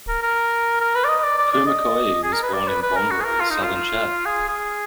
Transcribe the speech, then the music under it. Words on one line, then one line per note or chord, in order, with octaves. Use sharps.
Koumakoye was born in Bongor in southern Chad.
A#4
A#4
A#4
B4
D5
D#5
D5
D5
D5
D#5
G#4
A#4
B4
D5
B4
B4
A#4
F#4
G#4
A#4
F4
D#4
F4
G#4
G#4